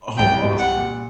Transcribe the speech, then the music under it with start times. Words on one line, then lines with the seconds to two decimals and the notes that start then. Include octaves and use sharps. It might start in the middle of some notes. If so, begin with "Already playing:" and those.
Oh, awesome.
0.17 C2 G5
0.45 G3
0.59 F#5
0.72 A#2